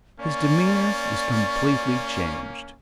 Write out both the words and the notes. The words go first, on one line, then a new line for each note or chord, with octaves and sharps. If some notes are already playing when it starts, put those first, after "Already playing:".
His demeanour is completely changed.
A#3 C#4 D5 C#6